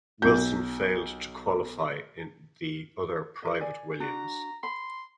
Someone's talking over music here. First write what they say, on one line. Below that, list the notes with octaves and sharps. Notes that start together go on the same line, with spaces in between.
Wilson failed to qualify in the other private Williams.
B1 G6
A#4 D#5
D5 G#5
D4 F#4 A#5
B5 C6